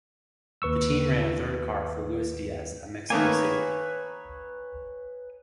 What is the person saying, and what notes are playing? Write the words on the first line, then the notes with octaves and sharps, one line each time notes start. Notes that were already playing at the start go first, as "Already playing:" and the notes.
The team ran a third car for Luis Diaz at Mexico City.
D#2 B4 C#6 E6
D#3 A3 A#3 B4 C#5 G#5